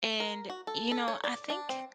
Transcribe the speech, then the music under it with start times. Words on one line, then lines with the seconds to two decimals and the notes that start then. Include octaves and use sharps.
and, you know, I think
0.20 A#4
0.50 F#4
0.67 A4
0.92 A4
1.08 C#5
1.24 D5
1.50 D4
1.69 C4